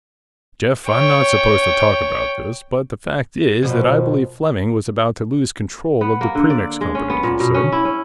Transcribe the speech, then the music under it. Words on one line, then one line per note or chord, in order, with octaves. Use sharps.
"Jeff, I'm not supposed to talk about this, but the fact is that I believe Fleming was about to lose control of the Premix Company," he said.
C#5 G5
F#2 B2 F3
B3
A#3
D3
D5
G#3
C#4
B3
A#2
B2
C#4
E4
C#4